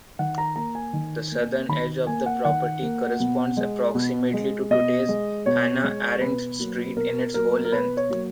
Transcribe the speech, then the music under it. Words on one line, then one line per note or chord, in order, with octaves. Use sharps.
The Southern edge of the property corresponds approximately to today’s Hannah Arendt Street in its whole length.
D#3 F#5
A#5
A#3 A#5
G#5
D#3
A#3
D#3 B5
A#3 G#5
F#5
D#3 F#5
A#3
B2
G#3
B2
G#3
B2 D#5
G#3
B2 C#5
G#3
B2 B4
F#3 A#3
B2 A#4
F#3 A#3 A#4
A#4
B2 B4
C#5
F#3 A#3